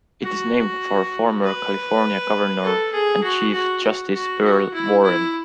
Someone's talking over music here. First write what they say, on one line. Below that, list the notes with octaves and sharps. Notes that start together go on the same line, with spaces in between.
It is named for former California Governor and Chief Justice Earl Warren.
F#4
B4
A4
G#4
F#4
F#4
F#4
F#4
F#4
E4
E4